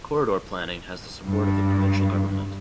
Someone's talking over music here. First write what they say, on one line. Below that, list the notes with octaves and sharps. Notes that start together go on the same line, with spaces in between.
Corridor planning has the support of the provincial government.
G2